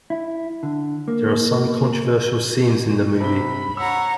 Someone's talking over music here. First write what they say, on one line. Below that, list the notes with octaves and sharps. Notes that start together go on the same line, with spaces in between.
There are some controversial scenes in the movie.
E4
D3
A#3
C3 B5 G7
C#5 F#5 A#5 E6